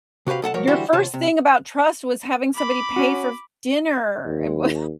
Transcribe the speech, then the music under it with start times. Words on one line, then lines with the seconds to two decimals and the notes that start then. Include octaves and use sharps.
your first thing about trust was having somebody pay for f dinner. It was,
0.27 C3 F#4 G4 B4 F5
0.42 B1 A4 F#5 A5
0.54 B2 F3 F#4 A#4 C#5
0.67 D3 E3 G3 E4 F#4 C5
0.93 D#2 C3 F4 C#5 A5
1.14 C3
2.55 B5 D6
2.96 C#4 F#4
4.25 D#2